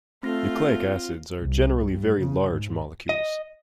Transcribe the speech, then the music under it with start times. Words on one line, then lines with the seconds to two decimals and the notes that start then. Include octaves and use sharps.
Nucleic acids are generally very large molecules.
0.23 A3 C4 F4 A#6
1.40 C2
1.82 G2
2.20 C#3
2.51 G#2
3.09 D#5